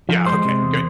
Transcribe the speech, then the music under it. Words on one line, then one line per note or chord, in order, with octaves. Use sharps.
Yeah, okay, good.
F3
G#3 C5
C3
E2